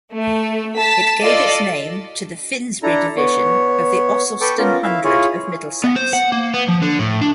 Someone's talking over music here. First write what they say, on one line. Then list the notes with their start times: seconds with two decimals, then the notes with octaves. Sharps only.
It gave its name to the Finsbury division of the Ossulstone hundred of Middlesex.
0.13 A3
0.77 A5 B6
1.22 F4 A4 D5 D#5
2.83 D4 E4 A4 A#5
3.17 B3 C#5
4.41 A4 B4 G5 C#6 D6
4.58 B3 C#4 F4 A#4
4.83 E4 E5 F5
5.04 E4 F4 G#4 C#5
5.84 B3
5.96 C5
6.13 F#5
6.32 A#3
6.54 B3
6.69 F3
6.82 D3
6.99 A2
7.21 D4